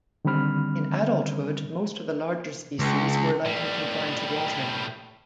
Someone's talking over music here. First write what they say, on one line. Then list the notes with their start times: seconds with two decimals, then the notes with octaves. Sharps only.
In adulthood, most of the larger species were likely confined to water.
0.25 D3 D#3 G3 C4 B5 F6
2.79 C#2
3.46 A2 G3